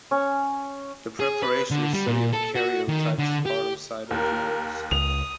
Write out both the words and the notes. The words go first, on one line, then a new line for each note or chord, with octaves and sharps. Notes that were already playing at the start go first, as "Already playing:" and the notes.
The preparation and study of karyotypes is part of cytogenetics.
C#4
G#4
B4
D3
G3
A#2
A4
F#4
D#3
D3
G4
D#2 A#4
C#2 D#6 F7